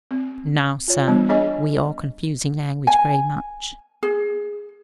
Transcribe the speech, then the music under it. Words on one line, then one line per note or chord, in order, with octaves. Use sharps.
Now, sir, we are confusing language very much.
C4
F4 C#5
E3 G3 B3 D4
D4 G#4 C#5 D#5 G#5
G#5
G#4